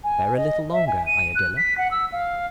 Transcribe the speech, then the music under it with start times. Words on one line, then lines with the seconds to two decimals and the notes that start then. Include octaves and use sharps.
Bear a little longer, Iadilla.
0.04 G#5
0.36 D#5
0.72 E5
0.87 G#5
1.06 D#7
1.35 F#6
1.57 B6
1.78 F#5
1.91 E6
2.12 F5